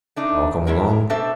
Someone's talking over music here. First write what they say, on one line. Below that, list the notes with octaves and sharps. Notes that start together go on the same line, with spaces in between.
"I'll come along."
A3 D4 D#4
G#3 E4 A#4
B2 D4 G4 A4 C5 E5